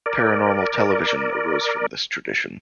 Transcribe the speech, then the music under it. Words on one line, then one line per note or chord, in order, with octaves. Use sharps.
Paranormal television arose from this tradition.
A#4 D5